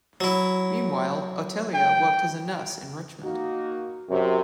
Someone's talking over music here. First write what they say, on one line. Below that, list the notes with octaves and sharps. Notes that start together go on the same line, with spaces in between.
Meanwhile, Otelia worked as a nurse in Richmond.
F#3 E4
G5
A#3 D#4 F#4
F#2 C3